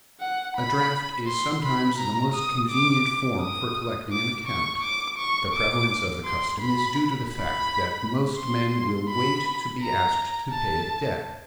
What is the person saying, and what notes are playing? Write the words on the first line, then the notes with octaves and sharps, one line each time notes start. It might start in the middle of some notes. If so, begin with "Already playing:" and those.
A draft is sometimes the most convenient form for collecting an account. The prevalence of the custom is due to the fact that most men will wait to be asked to pay a debt.
F#5
B5
C6
B5
A#5
D#6
D6
D#6
D6
C#6
D6
C#6
D6
C6
B5
B5
C6
B5
A#5
A5